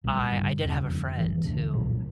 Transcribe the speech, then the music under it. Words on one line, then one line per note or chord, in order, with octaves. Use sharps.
I I did have a friend who
B1 A#2 G3
G2 D3 G3
E1 D2 C#3
F1 F2 D3
G#1 G2 E3
E1 D2 D3
C2 A#2 F#3